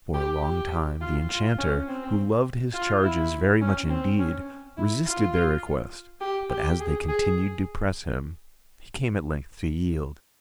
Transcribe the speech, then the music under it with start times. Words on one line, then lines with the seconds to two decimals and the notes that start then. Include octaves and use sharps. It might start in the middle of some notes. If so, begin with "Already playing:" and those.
For a long time the enchanter, who loved his charges very much indeed, resisted their request; but as they continued to press him, he came at length to yield.
0.14 G4
0.42 G4
1.01 F4
1.29 F4
1.58 C#4
1.88 C4
2.74 F4
3.03 E4
3.61 C#4
3.90 C4
4.19 C#4
4.77 E4
5.05 F4
6.21 G4
6.50 G4
6.80 G#4
7.09 G#4